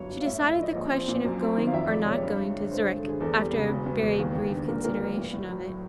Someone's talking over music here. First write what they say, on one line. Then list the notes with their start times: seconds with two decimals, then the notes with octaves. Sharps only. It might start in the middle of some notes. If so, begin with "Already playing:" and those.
She decided the question of going or not going to Zurich, after a very brief consideration of it.
Already playing: G1 F#3 C#5
0.09 F#2
0.20 F5
0.26 A2 E5
0.39 E5
0.43 A2
0.51 E5
0.59 F3 D#5
0.75 A#1
0.91 C4
1.08 A#2
1.24 F#2
1.41 C4
1.57 D#3
1.67 F5
1.73 F2 E5
1.89 G#3 D5
2.05 C3 C#5
2.22 G2
2.38 G#3
2.55 D3
2.62 C#5
2.71 G2 C5
2.84 G#3 G#4
2.96 A4
3.03 D3 G#4
3.20 E2 A4
3.37 G3
3.53 C#3
3.69 E1
3.86 E1
4.02 E2
4.18 D#2
4.35 D#2
4.51 D3
4.68 A#2 A#4
4.84 A#2 A#4
5.00 F#3 B4
5.17 A2
5.33 A2
5.49 F#3